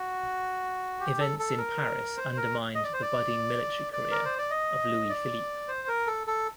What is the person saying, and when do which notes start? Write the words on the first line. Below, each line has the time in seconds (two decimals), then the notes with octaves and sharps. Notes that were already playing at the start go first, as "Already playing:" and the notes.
Events in Paris undermined the budding military career of Louis Philippe.
Already playing: F#4
1.00 G4
1.20 A4
1.39 A4
1.58 A#4
2.17 C5
2.37 A#4
2.75 D#5
2.84 D5
2.93 C5
3.02 D5
3.93 D5
4.11 A#4
4.25 C5
4.38 D5
4.51 D#5
5.09 D5
5.68 C5
5.88 A#4
6.07 A4
6.27 A4